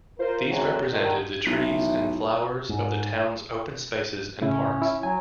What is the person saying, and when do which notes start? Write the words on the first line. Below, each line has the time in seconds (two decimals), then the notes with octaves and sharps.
These represented the trees and flowers of the town's open spaces and parks.
0.18 F4 A#4 C5
0.49 F#2 A#2 E3 F#3 G#3 C4
0.91 D3 D#3
1.46 B1 E4
2.69 G#2
4.41 A2 C#3 C#4 E4
4.82 E4
5.03 F#3 G#5